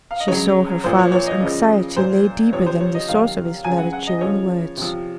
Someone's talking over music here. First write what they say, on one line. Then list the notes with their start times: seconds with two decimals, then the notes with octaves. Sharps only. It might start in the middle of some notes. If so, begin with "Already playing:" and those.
She saw her father's anxiety lay deeper than the source of his latter cheering words.
0.11 F5
0.20 D#5
0.28 C#3 F#3 C#5
0.84 A#2 F3 C5
0.99 C#5
1.12 C#5
1.27 D#5
1.41 C#3 F3
1.96 A#2 F#3 C5
2.52 C3 F3 C#5
2.66 C5
2.80 C#5
2.95 D#5
3.08 C3 D#3 F#3 F5
3.65 C#3 F#3 G#5
3.78 F#5
3.93 F#5
4.07 D#5
4.20 C#3 F3 C#5
4.77 C3 F3